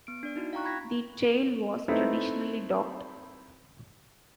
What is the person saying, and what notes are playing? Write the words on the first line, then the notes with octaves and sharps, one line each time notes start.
The tail was traditionally docked.
B3 D7
D4 D5
D#4 E4 F#4
F5 G5 A#5 C#6 F#6
B5 C#6 G#6 A#6 B6
A3 C4 D#4 E4 B4